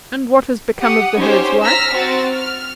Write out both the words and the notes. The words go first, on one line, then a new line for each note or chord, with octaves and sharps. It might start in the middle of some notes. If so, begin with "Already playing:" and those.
"And what has become of the herd's wife?"
G4 F#5 D#6
C#4 D#4 G4 C5
A#5 E6 F6 A#6 B6
C4 F#4 A6
F6